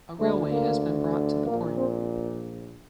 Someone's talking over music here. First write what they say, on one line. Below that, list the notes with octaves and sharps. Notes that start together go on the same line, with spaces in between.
A railway has been brought to the port.
D2 D3 A3
A#3
A#1 A#2 A#3
C4